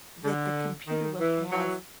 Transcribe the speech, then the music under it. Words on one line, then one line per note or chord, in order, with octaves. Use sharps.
that the computer will have
D3
D#3
E3
E3 F#3